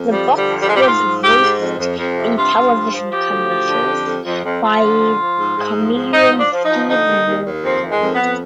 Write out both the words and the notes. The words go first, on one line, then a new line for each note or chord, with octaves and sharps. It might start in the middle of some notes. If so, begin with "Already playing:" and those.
The box was voiced in television commercials by comedian Steve Mackall.
Already playing: F2
F3 G3
D3
G3
F2
G3
F3 G#3
G3
G4
G#2 F4
F3
G#2 G4
G#2
F2
F2
F2
C3
G2 F4
G2
F3
F3
F3 G4
D2
F3
D3
F2
F2
F2
F2
F3 F4
D3
F3
F3
G#2
G#2
F3
G#2
G#2 D#4
F3
D4
F3
D#4
F3
D3 D#4
D#2
D#2
D#2
F2 C4
D#3
G#3
F2
B3
F2